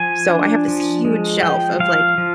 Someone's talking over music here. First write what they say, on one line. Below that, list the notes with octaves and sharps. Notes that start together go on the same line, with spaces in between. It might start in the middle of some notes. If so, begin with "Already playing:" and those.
So, I have this huge shelf of, like,
Already playing: F3 G#5
D4
F3
G#3
F3 G5
F3 F5
F3